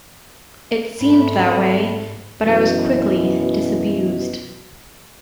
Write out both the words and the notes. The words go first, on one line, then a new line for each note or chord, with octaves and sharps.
It seemed that way, but I was quickly disabused.
G#2 A3 C4 B5
F#2 B2 E3